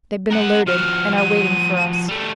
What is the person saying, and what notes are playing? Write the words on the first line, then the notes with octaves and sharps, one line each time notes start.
"They've been alerted and are waiting for us."
A#4 F#5
F3 F#4 F6
D#7
G3 A3